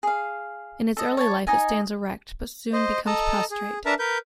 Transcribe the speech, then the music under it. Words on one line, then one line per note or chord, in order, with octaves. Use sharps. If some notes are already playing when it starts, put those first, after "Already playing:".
In its early life it stands erect, but soon becomes prostrate.
G#4 F5
A4 D#5
C#5 A5
D#4 D#5 G#5
C5 D#5
A4 D#5 A5 A#5
G#4
D4 A#4 B4 E5 A5 A#5
A#4 B4 G6